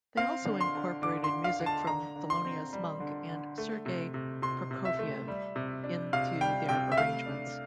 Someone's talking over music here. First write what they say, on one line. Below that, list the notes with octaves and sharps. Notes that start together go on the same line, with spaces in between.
They also incorporated music from Thelonious Monk and Sergei Prokofiev into their arrangements.
C4 F5
D3
C6
D3
D3 D6
C6
D3
F5
D3
A5
D3 A#5
D3
C6
C4
G3
D3
D3
A3
C3
C3
C3 C6
C3
E5
A3
G3
C3
D4
C3 F5
G3 G5
C3 G5
E5
A3 F5
D4